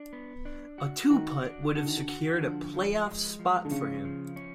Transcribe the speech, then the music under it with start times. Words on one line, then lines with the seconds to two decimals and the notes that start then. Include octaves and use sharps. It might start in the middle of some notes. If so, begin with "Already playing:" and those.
A two-putt would have secured a playoff spot for him.
Already playing: D4
0.13 B3
0.45 D4
0.78 F#4
1.10 D#3 F#4
1.43 D4
1.75 D3 F#4
1.86 D#3
1.96 D3
2.09 F#4
2.34 D#3
2.41 D3 F3
2.73 F3
3.07 G#3
3.39 F3
3.65 D3
3.71 C#3 C#4
4.05 F3
4.36 C#4